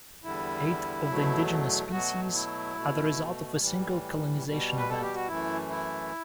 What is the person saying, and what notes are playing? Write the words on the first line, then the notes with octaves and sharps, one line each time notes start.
Eight of the indigenous species are the result of a single colonization event.
E2 D3 G3 E4
E2 B2 F#3 A3
B2 F#3 A3 F#4
E4
B2 A3
A2 E3 G3
B2 G3
B4
A4
G4
F#4
F#2 E3 A3 E4
E4